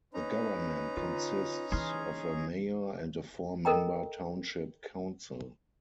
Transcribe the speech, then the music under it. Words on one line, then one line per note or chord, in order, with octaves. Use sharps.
The government consists of a Mayor and a four-member Township Council.
C#4 D#4 B4 A#5
D3 F4
E3 E4 G#4 C6 F6
A4 A#4 D#5 G5 A#5